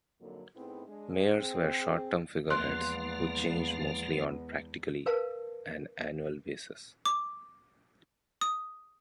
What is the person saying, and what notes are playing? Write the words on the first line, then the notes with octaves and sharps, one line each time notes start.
Mayors were short-term figureheads who changed mostly on practically an annual basis.
F2 G#2 D3 F#3 A#3
A2 B3 C4 D#4 E4 G#4
G#3 D4
C4 G#4
E2 F3 G#3 A#3 B3 F5 C6 F#6
A#4 B4 F5 A5
D6
D#6